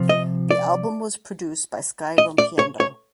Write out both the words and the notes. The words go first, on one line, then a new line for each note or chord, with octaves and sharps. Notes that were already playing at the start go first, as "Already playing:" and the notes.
The album was produced by Sky Rompiendo.
Already playing: C3 F3
D#5
D5
D#5
D5
C#5
C#5